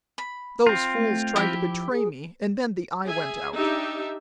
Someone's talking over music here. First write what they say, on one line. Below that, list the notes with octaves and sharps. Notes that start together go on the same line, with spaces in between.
Those fools tried to betray me, and then the Eye went out.
B5
C4 F4
A3
F3 E4 G4 E5
G#4
G#4 E5 G#5
D4 D#4 G4 E5